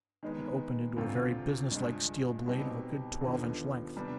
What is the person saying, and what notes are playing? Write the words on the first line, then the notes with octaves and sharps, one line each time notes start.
It opened into a very businesslike steel blade of a good twelve-inch length.
D#3 G#3 B3
D2 C3 G3 C4 F4
G2 F3 G#3
B2 G3 C4 D#4 G4
D#2 D3 F3 B3
C3 G3 B3 D4